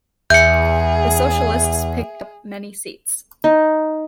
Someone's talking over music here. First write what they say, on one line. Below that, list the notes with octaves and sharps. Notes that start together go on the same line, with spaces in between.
The Socialists picked up many seats.
E2 G#4 E5 G6 C#7
D#4